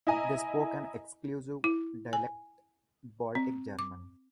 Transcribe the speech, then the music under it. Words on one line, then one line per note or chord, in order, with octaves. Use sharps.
They spoke an exclusive dialect, Baltic German.
E4 D#5 G#5 A#5
E4
G#5
C4
D6